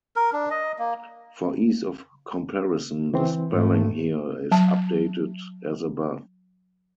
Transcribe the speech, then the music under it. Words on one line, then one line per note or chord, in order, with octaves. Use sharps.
For ease of comparison the spelling here is updated as above.
A#4
D4
D#5
A#3
E3 C4
G#2 A3
F#3 A5